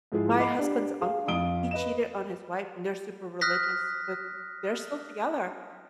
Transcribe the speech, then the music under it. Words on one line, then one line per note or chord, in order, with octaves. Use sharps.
My husband's uncle, he cheated on his wife, and they're super religious, but they're still together.
G#2 F3 G#3 E4 G#4
D#5 F#5 B5 D6 C7
D4 G4
G#4 F5
F2 F3 F5 D#6 D7 G7
B4 D#5 E7
D#6 F6 F#6 A#6 B6